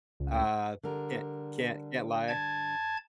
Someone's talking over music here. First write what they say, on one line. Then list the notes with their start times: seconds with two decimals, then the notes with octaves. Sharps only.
Uh, can't can't can't lie.
0.20 C#2
0.83 D3 G3 A#4
2.28 A5 G#6